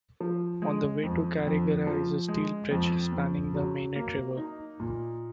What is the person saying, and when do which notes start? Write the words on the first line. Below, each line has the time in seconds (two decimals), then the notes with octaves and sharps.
On the way to Carigara is a steel bridge spanning the Mainit River.
0.20 F3
0.62 G#3
1.03 F2
1.46 F2
1.87 F3
2.28 G#3
2.71 F2
3.12 F2
3.54 F#3
3.96 A#3
4.37 D#4
4.80 A#2